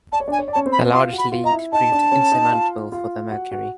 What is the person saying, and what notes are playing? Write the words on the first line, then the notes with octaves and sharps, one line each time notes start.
The large lead proved insurmountable for the Mercury.
D5 A5
C#5
D4 D5 G#5
C#5
D5
C#4 C#5 A5
C4 C5
B5
F4 F5 C6
F#4 F#5
B5
F4 F5
D#5 A#5
E4 E5
D#4 D#5 A5
D4 D5
C#4 C#5
D#4 D#5
F4 F5
F4 F5
F#4 F#5
F#4 F#5